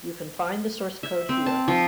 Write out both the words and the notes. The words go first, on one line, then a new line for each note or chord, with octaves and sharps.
You can find the source code here.
E5
C4
A5
F3